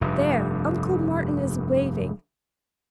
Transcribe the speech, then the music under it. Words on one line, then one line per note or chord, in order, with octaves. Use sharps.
There, Uncle Martin is waving.
F1 G2